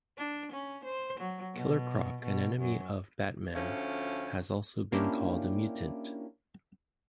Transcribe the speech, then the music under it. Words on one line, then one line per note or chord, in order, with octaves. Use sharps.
Killer Croc, an enemy of Batman, has also been called a mutant.
D4
C#4
C5
F#3
B2
B2
F#2
D2 F3 A3 C#4
A#3 C#4 D4 E4 F4 G4